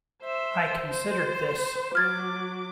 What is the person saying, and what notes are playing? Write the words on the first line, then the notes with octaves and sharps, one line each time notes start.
I considered this.
C5 E5
C5
F#3 D6 F6 G#6 A6